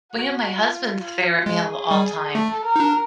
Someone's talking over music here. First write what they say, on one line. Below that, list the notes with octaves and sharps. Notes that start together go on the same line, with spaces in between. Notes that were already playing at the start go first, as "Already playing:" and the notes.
Well, you know, my husband's favorite meal of all time
F#4
F4
F4
G#3 G#4
G3
A3 A4
A#4
D#4
D4